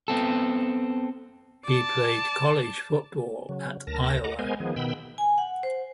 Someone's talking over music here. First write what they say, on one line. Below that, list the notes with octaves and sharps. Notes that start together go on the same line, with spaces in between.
He played college football at Iowa.
B3 C4 A4
D5 A5
C#3 F#3
D2 A#4 A5 A#6
D#5 F#5 A#5 D6
G#3 B3 A#4 C5 G#5
D#3 F3 B3 G#4
B2 D#3 B3 G5 B5 E6
G#5
F#5
C5